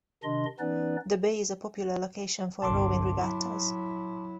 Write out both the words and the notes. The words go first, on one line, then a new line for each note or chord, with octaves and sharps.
The bay is a popular location for rowing regattas.
C3 D#3 D4 D#5 C6
E3 B3 C#4 D#4 B4 D5
G1 C2 A5 C6 D6
F#3 E4